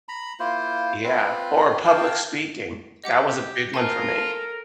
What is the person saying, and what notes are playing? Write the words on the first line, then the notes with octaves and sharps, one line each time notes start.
Yeah, or public speaking. That was a big one for me.
A#5 B5
A#3 E4 F4 C5
C4 F4 B4
A#4 F5 G5 A5
G4 D#5 F#5 D6
F4 A#4 C5 G#5 A5
A4